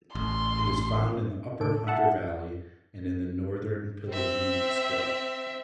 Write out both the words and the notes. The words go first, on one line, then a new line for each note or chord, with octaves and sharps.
It is found in the upper Hunter Valley and in the northern Pilliga scrub.
A1 C6
A2 C#3 A4 D7
E5 F#5 A5
C4 E5